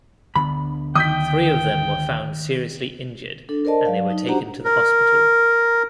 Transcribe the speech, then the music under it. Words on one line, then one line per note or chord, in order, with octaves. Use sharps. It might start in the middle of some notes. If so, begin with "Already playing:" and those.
Three of them were found seriously injured and they were taken to the hospital.
D2 D3 B3 B5
D#3 G5 D#6 G6 B6
D4 A4
A#4 C5 D5 D#5 A5
F#3 D5 F5
D#4
D4 F#4 G4 C5 F#5 A#5
A#4